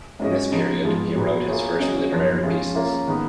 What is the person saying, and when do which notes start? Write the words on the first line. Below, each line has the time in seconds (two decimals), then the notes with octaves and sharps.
In this period, he wrote his first literary pieces.
0.20 G#2 F#3 C#4 G#4 D#5
0.51 C#3 F3 B3 D#4
0.83 G#2 F3 G#3 B3
1.16 A#2 F#3 B3 F#4 B4
1.48 A#3 F4 G#4 C#5
1.79 C#3 F#3 C#4 G#4 D#5
2.12 F#2 F3 B3
2.44 F3 G#3 C#4 F4 G#4
2.75 A#3 C#4 F4
3.07 D#3 G#3 B3